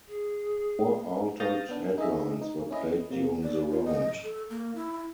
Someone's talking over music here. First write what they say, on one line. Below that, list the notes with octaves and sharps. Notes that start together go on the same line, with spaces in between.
Four altered headlines were played during the round.
G#4
F5 D#6 F6 G6 A6 A#6
B3 D4
D#4 G#4 D#5 E5
D#4
C#4 E4 D#5
C3 A#3
D5
F4
D#5
A4
A#3
E4